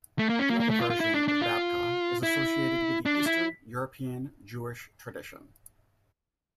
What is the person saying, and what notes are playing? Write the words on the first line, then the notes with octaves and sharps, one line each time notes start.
Another version of babka is associated with the Eastern European Jewish tradition.
A3
A#3
C#4
A#3
A#3
A3
F4
F4
E4
D4
D4
F4
E4
D4
E4